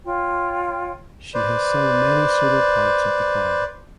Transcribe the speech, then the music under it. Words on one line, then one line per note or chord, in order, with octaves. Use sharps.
She has sung many solo parts at the choir.
F4 C#5 G5
B4 C5 D5